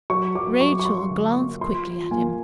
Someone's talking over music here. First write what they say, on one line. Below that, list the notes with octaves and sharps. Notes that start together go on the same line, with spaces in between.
Rachel glanced quickly at him.
F#3 C#6
F#3 D6
F#3 C#6
C#6
F#3 C6
D3
A#3
F3 C6
F3
A#3 G#5